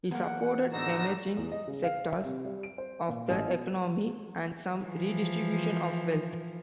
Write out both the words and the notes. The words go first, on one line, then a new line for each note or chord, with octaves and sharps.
He supported emerging sectors of the economy and some redistribution of wealth.
E2 A#3 F#5
A2 D3 G3 D4 D#4 F#4 E6 A#6
E2
D#5
C#3
F5
E5
C3
G3
D7
C5
A#2
A1
B2
E3 F3